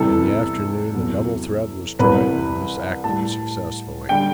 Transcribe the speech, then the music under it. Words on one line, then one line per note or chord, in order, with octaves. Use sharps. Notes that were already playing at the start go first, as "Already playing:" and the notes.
In the afternoon a double thread was tried, and this acted successfully.
Already playing: E2 C3 E3 G3 A4
E2 C3 F#3
C2 C3 E3 G3 B4
A2 G3 A5
D3 G3 G5